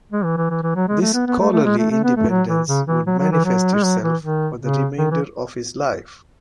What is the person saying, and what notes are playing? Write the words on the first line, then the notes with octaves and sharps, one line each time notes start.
This scholarly independence would manifest itself for the remainder of his life.
G#3
E3
E3
E3
E3
F#3
G#3
A3
B3
B3
A3
A3
G#3
A3
A3
B3
A3
F#3
E3
C#3
E3
F#3
F#3
E3
F#3
G#3
F#3
E3
D#3
C#3
D#3
E3